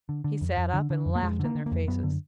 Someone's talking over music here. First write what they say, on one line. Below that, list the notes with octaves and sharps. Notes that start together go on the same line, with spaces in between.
He sat up and laughed in their faces.
D3
D3
F2
F2
D3
D3
F2
A#3
F2 G#3
D3
A#3
D3
A#3
F2
F#2 B3
D3